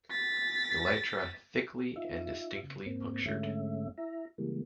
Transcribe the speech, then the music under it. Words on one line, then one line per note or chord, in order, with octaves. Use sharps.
Elytra thickly and distinctly punctured.
A6 B6
D#4 F4 E5
C#3
G#2 A#3 C4
G#2 D3 G#3 A3 C#4 E5
E4 E5 A#5
C#3 E3 G3 G#3 A#3